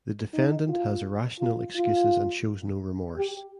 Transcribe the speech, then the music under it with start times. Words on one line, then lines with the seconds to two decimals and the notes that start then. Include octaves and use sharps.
The defendant has irrational excuses and shows no remorse.
0.34 D#4
0.69 F4
1.39 F4
1.75 F4
3.17 G4